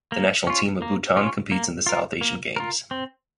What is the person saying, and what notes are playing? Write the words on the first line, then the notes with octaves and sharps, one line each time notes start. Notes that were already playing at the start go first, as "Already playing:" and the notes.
The national team of Bhutan competes in the South Asian Games.
A#3
C#4 F4
A#3
C#4 F4
A#3
F4 A#4
A#3
F4 A#4
C4